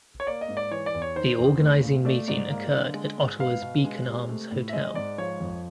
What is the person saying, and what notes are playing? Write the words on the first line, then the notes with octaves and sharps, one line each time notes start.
The organizing meeting occurred at Ottawa's Beacon Arms Hotel.
C#5
A#3 D5
D#5
G#2
D5
E3 C#5
D5
E2
C#5
D#3 C5
E2
A3
A#2
A3 D5
G#2 D5
A#3
D3
G#3
G#2
B3 F5
B2
G#3
C3
A3
A2
E5
G#3 D#5
G#2 D5
F3 C#5
F2